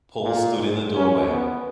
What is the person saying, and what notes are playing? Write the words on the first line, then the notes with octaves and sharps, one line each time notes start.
Paul stood in the doorway.
A#2
G#2
C#4
B3